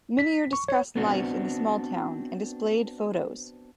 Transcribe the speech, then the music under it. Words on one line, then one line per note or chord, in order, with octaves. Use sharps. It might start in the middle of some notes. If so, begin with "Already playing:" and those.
Minnier discussed life in the small town and displayed photos.
B6
C#6
C#5
B3 C4 D4 F#4